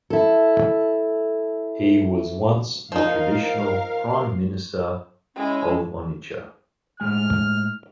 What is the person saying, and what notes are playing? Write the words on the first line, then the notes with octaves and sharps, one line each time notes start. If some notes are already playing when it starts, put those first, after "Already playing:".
He was once the traditional Prime Minister of Onitsha.
E4 A4
F3 D#4 A#4 F5
G#3 C#4 E4
A2 G#3 G#5 F6